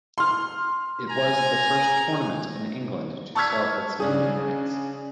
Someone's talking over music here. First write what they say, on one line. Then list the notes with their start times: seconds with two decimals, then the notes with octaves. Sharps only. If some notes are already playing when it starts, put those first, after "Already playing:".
It was the first tournament in England to sell its naming rights.
0.18 C6 F6
1.09 G#5 A#5
3.35 A5 C#6 E6 F6 G#6 B6
4.00 C#3 D4 G#4